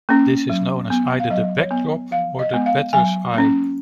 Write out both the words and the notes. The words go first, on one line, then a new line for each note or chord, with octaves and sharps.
This is known as either the "Backdrop" or the Batter's eye.
A#3 C#4
F#3
B3
F5
F#3 D#5
C#5
B3
F3 F5
D#5
G#3 B3
F5
F#3 G#5
A#3 C#4